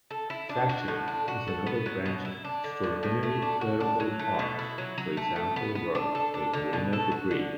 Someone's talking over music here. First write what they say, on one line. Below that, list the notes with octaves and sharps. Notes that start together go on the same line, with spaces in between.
Trashion is another branch of extraordinary wearable art, for example, work by Marina DeBris.
A4
E4
D4
F#4
A2
D4
F#4
A4
B3
F#3
B2
E4
D4
D3
A2
A2
A3
D4
F#4
D4
F#3
A3
B2
E4
F#3
F#3
A3
A3
B3
B3
D4
A4
D4
D3
B2
A4
F#4
D3